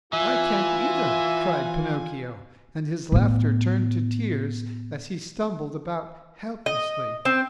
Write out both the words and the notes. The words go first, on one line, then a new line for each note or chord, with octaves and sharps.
"I can't either," cried Pinocchio; and his laughter turned to tears as he stumbled about helplessly.
E3 F4 E5 G#5
A2 B3
D#5
C4